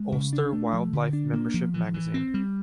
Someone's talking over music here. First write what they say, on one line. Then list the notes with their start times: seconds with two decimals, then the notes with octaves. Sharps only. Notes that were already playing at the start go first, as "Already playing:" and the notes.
Ulster Wildlife Membership Magazine.
Already playing: G#3
0.12 C#3
0.33 D4
0.53 A3
0.73 F3
0.93 D3
1.13 D4
1.33 A#3
1.54 F3
1.74 E3
1.94 E3
2.14 C4
2.34 G3